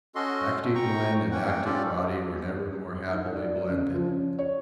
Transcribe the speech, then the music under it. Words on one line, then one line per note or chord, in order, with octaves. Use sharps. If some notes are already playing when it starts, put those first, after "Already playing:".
Active mind and active body were never more happily blended.
C#4 F#4 A4 D#5 C6
G5 A#5 C#6
E3 A#3 C#4 F#5 G5
C#4 F4 G4 A4 D5
D#4
D5
C#3
F3
C#4
C#5